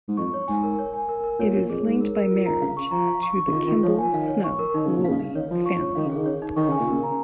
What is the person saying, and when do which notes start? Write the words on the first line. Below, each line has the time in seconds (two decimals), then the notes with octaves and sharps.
It is linked by marriage to the Kimball-Snow-Woolley family.
0.08 G#2
0.17 F2 C#6
0.34 C#5
0.48 G#2 G#5
0.63 A#4
0.79 C#5
0.93 G#5
1.09 A#4
1.24 A#4
1.39 A#2 C#5
1.54 A#2 C#5
1.70 F2 G#4
1.85 G#2 G#4
2.01 A#4
2.16 A#4
2.31 F4
2.46 A#5
2.61 C#3 F5
2.77 C#6
2.91 F3 A#5
3.07 F5
3.23 C#6
3.38 C#6
3.47 C#3
3.52 D#3 F4
3.67 D#3 F4
3.83 F3 C#5
3.99 G#5
4.13 D#3 F5
4.28 C#5
4.44 C#6
4.59 A#4
4.74 D#3 D#4
4.86 C#3 D#4
4.98 A#2
5.05 F5
5.10 C#3
5.19 F5
5.35 D#3 C#5
5.51 F3 F4
5.66 C#6
5.81 C#5
5.95 D#3 F5
6.06 C#3
6.12 D#3 G#4
6.26 C#5
6.42 D#4
6.56 D#3 C#6
6.69 C#3 G#5
6.80 A#2
6.88 C#3 A#4
7.03 A#5